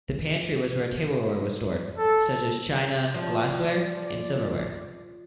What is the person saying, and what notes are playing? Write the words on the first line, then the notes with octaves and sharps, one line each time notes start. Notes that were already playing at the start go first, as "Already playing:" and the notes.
The pantry was where tableware was stored, such as china, glassware, and silverware.
A4
F3 D5